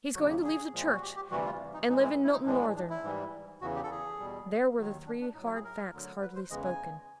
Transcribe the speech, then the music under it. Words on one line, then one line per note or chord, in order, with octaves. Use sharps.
'He's going to leave the Church, and live in Milton-Northern.' There were the three hard facts hardly spoken.
D#2 C#3 F#3 F#4
G4
G#4
A#2 F3 G#3
F#4
G4
G4
D2 C3 E3 G3 F#4
F4
D#4
A2 E3 G#3 D#4
E4
E4
D#4
A2 E3 G#3 D4
D4
D4
E4
G#2 E3 G3
E2 C#3 E3 F#4
G4
A4
G#4
E2 B2 G3
D#2 D#3 F#3
D4
D4
A2 F#3 D#4
E4
G#4
A#4
D2 D3 F#3
B4
C5
E2 C#3 E3 G#3 D#5
G#5